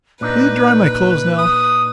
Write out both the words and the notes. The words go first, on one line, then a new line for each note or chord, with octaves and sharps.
Will you dry my clothes now?
A#2 D4 D#4 B4 F#6
D#6